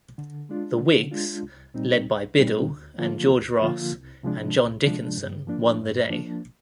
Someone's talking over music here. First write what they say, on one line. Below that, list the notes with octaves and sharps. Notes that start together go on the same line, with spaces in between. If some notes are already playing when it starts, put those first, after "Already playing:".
The Whigs, led by Biddle and George Ross and John Dickinson won the day.
D3
G#3 D4 F4
D3
G#3 D4 F4
C2
A#2 G3 C4 D#4
C2
A#2 G3 C4 D#4
D2
D3 F3 A#3 F4
D2
D3 F3 A#3 F4
C2
C3 F3 G#3 D4
C2
C3 F3 G#3 D4
G2
F3 A#3 D4
G2
F3 A#3 D4